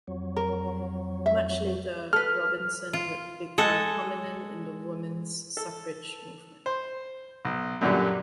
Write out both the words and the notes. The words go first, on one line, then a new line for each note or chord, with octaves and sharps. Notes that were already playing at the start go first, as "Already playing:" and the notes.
Much later, Robinson would become prominent in the women's suffrage movement.
F2 F#3
A#4
E5
A4 B4 F6
F4
G#3 A4 F#5
A4
C5
B1
F#2 A#2 D3 F#3 G3